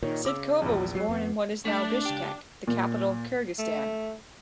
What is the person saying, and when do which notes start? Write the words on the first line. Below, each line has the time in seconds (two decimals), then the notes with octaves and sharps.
Sydykova was born in what is now Bishkek, the capital of Kyrgyzstan.
0.03 A#2 D#3 D#4 C#5
0.25 C#3 D6 E6
0.62 A#1 E2
0.95 F#3 G3 C7
1.08 F2 B3
1.65 A3 D4
2.05 C#2 G4
2.67 A#2
3.59 A3